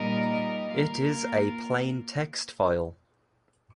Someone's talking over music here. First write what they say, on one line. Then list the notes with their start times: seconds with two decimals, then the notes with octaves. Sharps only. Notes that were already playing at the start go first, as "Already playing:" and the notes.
It is a plain text file.
Already playing: A#2 G3 D#4 A#4 D#5
0.72 A#3 F4 A#4 F5